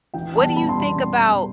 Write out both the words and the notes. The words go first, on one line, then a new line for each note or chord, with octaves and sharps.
What do you think about
E3 G5
G3 B3 A5
E3 B5
C6
G3 B3 B5